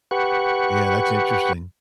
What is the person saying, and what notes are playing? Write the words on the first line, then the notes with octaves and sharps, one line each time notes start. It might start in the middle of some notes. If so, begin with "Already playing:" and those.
Yeah, that's interesting.
G4 B4 F#5 C#6